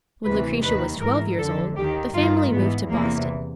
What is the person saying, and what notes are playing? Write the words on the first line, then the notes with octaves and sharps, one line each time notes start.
When Lucretia was twelve years old, the family moved to Boston.
D2 C3 E3 B4
D#2 D#3 B4
G#2 E3 A#4
F2 D3 A4
D#2 D#3 G4
G2 D#3 F4
G#2 E3 B3
E2 C3 E3 A#3